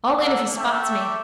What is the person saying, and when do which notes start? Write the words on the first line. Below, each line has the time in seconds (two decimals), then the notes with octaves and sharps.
All in if he spots me.
0.20 A#3 A4 F#5
0.56 A3 G4 E5